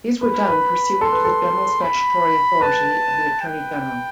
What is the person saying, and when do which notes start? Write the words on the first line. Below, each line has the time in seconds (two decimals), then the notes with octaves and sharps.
These were done pursuant to the general statutory authority of the Attorney General.
0.21 B4 B5
0.48 B4
1.01 A4 C6
1.12 B4
1.25 A4
1.81 B5
2.61 B4 A5
3.42 G5